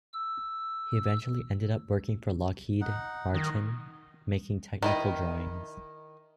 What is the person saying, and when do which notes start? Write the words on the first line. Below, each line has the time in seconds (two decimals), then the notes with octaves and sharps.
He eventually ended up working for Lockheed Martin making technical drawings.
0.13 E6
2.81 D#4 F#5
3.34 D#3 D#5
4.82 D#3 E4 D#5